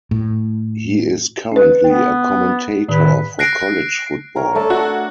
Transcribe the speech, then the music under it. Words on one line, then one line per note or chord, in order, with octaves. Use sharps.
He is currently a commentator for college football.
A2
C#4 B4
B3 G5
A2 D#3 B4
F#6 A#6 C7 D7
A#4 C#5
A3 D4 A4 C#5
F#4 F#5